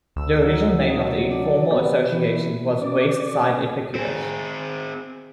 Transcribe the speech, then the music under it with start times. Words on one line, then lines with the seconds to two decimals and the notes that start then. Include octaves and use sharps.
The original name of the informal association was West Side Epicures.
0.16 D2 E6
0.45 F#3 D#4
0.88 D#3 D#5
1.30 D4 D5
1.71 B3 G4
2.11 E3 E4
2.82 C#4 D5 D6
3.95 C4 G#4